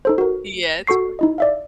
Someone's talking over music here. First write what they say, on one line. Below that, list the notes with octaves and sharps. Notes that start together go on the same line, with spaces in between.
Yeah, it's fun.
D#4 A4 C5
F#4 A#4
F#4 A4 C#6 C7
D#4 E4 D#5
D5 E5 F5